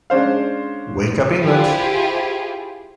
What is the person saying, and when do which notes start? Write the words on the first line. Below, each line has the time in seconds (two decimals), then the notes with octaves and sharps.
Wake up England!
0.10 G#3 C#4 D4 C5 F5
1.38 E4 F4 G4 G#4 C5